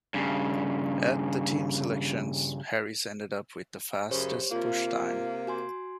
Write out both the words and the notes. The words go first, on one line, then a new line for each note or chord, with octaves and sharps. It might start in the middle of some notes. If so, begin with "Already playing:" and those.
At the team selections, Harris ended up with the fastest push time.
G2 C#3
F#2 C#3 G4 C5 C#5
C3 A#3 F4
F#4 G#5 C6